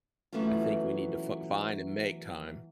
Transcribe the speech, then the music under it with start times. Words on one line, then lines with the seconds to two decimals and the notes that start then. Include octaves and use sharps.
I think we need to fi find and make time.
0.32 E3 F#3 A3 B3 C#4 F4